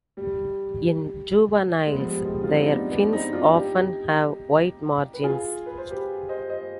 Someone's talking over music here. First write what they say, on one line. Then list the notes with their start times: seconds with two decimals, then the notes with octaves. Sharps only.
In juveniles, their fins often have white margins.
0.17 G3
1.86 G#3
1.92 B3
1.99 F3 G#3
2.07 G3
2.24 G#3
2.28 G3
2.44 F4
2.49 C4 D#4
2.62 D#4
2.70 B3 D4
2.91 B3 D4
3.13 C4 D#4
3.33 D4 F4
3.54 D#4 G4
5.14 B4
5.24 F4 G#4
5.66 B4
5.78 C5
5.91 G4 B4
6.29 C5 D#5
6.50 C5 D#5